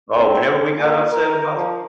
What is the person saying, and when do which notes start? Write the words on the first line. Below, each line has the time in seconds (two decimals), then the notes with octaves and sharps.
Oh, whenever we got upset about the
0.17 C4
0.76 A#2
1.11 A#4
1.55 F3